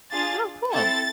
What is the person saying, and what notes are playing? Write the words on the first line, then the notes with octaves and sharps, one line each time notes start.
Oh, cool.
D4 F4 G#4 A6
C4 E4 A4 A6